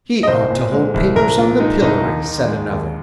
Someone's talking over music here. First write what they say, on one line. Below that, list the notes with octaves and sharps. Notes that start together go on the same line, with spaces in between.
"He ought to hold papers on the pillory," said another.
D#5
C2 C5
A#2
G#3
C2
C2 A#4
A#2 F4
G#3 D#4
C2 D#4
D#2
D#3
G#3
D#2